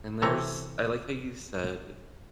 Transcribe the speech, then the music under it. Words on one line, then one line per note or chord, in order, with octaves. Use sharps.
And there's I like how you said,
C3 E3 A3 C#5 A#5